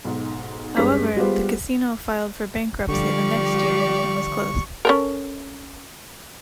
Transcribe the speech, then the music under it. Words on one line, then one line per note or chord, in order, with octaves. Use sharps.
However, the casino filed for bankruptcy the next year and was closed.
B1 G#2
G2 G3 G#3 C#4 B4 B6
G3 G#3 B3 F4 G4 C5
D3 F3 G3 G4 D5 F5 C#6
C#4 A4 A#4